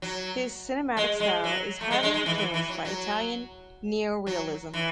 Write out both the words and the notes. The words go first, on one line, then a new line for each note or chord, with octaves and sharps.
His cinematic style is highly influenced by Italian neorealism.
F#3
G#3
G#3
F#3
A3
G#3
G#3
G#3
E3
E3
E3
F#3
F#3
F#3
E3